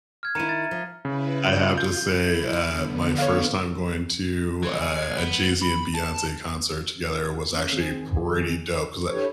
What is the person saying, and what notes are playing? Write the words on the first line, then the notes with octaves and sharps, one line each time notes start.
I have to say, uh, my first time going to, uh, a Jay-Z and Beyoncé concert together was actually pretty dope 'cause I
F6 G#6
D#3 E4 A#5 C#7 D#7
A6
F3
C#3 E4 B4
F4
G6
E4
D3 B3
C#5 F5
E3
G#4
B3
B5
A5
A#3 C#4
D#3 C4 G#4
D4 E4 G4 A4 B4 C#5